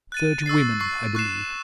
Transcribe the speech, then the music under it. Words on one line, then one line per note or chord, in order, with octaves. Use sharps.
Thirty women, I believe.
F#6 A6 D#7
C#6 E6 A6 C7
C#6 E6 A6 C7
C#6 F#6 C7 E7